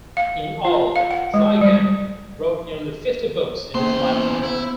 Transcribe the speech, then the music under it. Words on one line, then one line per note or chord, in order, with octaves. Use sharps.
In all, Jizang wrote nearly fifty books in his lifetime.
F5
F4
F5
F#5
G#3
G3
E2 A#3 C#4 C5 C6
B3 E4